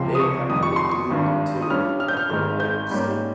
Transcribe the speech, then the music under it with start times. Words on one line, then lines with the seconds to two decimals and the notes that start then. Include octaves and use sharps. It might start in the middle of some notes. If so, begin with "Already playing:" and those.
Named after the doomed tomb of the local saint.
Already playing: C#2 C3 F3 G#3 C4 C6
0.15 D#6
0.20 C#6
0.50 F2 D#3 G3 D#6
0.63 C#6
0.76 C6
0.89 C#6
1.10 G#1 G2 G3
1.62 D#6
1.70 G2 G3 C#4 F6
2.00 F6
2.08 G6
2.17 F6
2.30 G#1 G#2 D#3 G#3 F6
2.60 G6
2.90 G#2 G3 A#3 C#4 G6